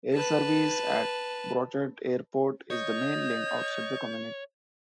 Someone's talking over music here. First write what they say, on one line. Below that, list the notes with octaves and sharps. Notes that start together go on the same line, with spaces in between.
Air service at Brochet Airport is the main link outside the community.
B4 A5
C#5 D#5 G6